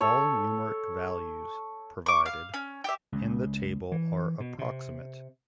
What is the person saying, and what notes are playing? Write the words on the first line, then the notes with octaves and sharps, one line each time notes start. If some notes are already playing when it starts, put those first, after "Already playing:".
All numeric values provided in the table are approximate.
A4 C#5
C#6 D6
F5
C#4
G4 E5
C#2
E3
B2
C3